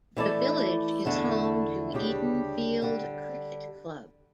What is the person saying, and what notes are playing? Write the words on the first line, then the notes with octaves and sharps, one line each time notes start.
The village is home to Edenfield Cricket Club.
E3 A3 E4 A4 D5
E2 D3 A3 E4 A4
D2 C#3 G3 D4 G4
D3 G3